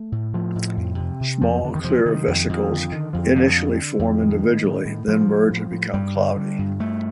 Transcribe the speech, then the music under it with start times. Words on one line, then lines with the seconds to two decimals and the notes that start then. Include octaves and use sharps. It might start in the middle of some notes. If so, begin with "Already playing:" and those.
Small, clear vesicles initially form individually, then merge and become cloudy.
Already playing: A3
0.12 A2
0.33 A2 F3
0.56 A2
0.77 F2
0.99 C3
1.20 C3
1.41 F2 F3
1.63 F2 D3
1.75 D#3
1.84 C3 F3
2.05 C3 D#3
2.28 F2
2.49 F2
2.71 D3
2.92 D3 D#3
3.13 F2 F3
3.35 F2 D3
3.56 D3
3.79 D3
3.99 F2
4.21 A2 D#3
4.43 A2
4.64 A2
4.85 A2
5.08 A2 F3
5.29 A2
5.51 A2
5.72 A2
5.94 G2 G3
6.15 D3
6.36 D3
6.59 G2
6.79 G2 A3